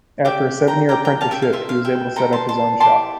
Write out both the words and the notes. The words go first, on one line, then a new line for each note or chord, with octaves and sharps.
After a seven-year apprenticeship, he was able to set up his own shop.
G4 D5 E5 G5
G5 A#5
G4 D5 G5 A#5
G5 A#5
F5 A5
E5 G5
F5
F4 C5 E5
F5
E5 G5
E4 A4 C5 G5 A#5
A5 C6
A5 C6
E4 G4 D5 A5 C6